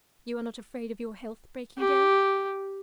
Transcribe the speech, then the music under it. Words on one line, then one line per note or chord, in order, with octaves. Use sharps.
"You are not afraid of your health breaking down?"
G4